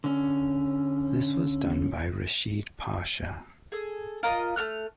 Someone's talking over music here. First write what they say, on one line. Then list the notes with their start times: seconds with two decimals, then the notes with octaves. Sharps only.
This was done by Reshid Pasha.
0.04 D3 C#4
3.72 G#4 A4
4.23 F4 A#4 D#5
4.56 A3 B3 F6 F#6